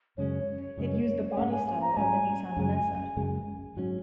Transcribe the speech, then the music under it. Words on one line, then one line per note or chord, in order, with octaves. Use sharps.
It used the bodystyle of the Nissan R'nessa.
F#2 C#3 G#3 C#4 C#5
F#2 C#3 G#3 C#4
G#5
G#2 G#3 C#4 F#5
G#5
G#5
A#5
G#2 G#3 C#4 G#5
F#2 C#3 G#3
F#2 C#3 G#3
G#2 F#3 C#4